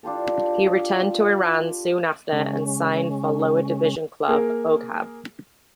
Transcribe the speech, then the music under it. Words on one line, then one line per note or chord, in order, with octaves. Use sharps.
He returned to Iran soon after and signed for lower division club, Oghab.
D4 F4 G4 A4
C#3 G#3 C#4
A#3 G#4 A#4